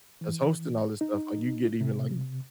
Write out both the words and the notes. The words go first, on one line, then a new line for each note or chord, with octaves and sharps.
that's hosting all this stuff, like, you get even, like,
E3
D#4
C3